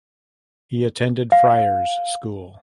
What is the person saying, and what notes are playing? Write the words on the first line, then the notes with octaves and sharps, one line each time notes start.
He attended Friars School.
F5